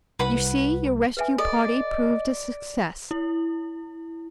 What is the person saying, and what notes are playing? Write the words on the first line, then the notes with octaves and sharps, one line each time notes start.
You see, your rescue party proved a success.
C2 B4 F#5 B5
B4 E5 G#5
A4 D5 D#5
E4